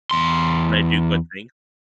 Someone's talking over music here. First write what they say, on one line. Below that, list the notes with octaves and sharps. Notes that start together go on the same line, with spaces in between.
when I do good things
E2 C6